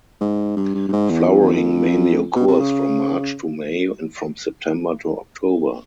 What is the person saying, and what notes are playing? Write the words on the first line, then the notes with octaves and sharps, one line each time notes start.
Flowering mainly occurs from March to May and from September to October.
G#2
G2
G2
G2
G#2
E2
F2
E2
F2
B2
C3
C#3